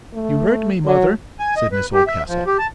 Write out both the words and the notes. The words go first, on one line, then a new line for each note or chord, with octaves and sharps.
"You hurt me, mother," said Miss Oldcastle.
A3
F#3
G#5
D#5
B4
G4
E5
F3
G4
A5